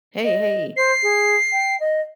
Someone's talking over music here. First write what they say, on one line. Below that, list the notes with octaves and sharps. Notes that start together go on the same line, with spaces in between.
Hey, hey.
D#5
C5 C7
G#4
G5
D#5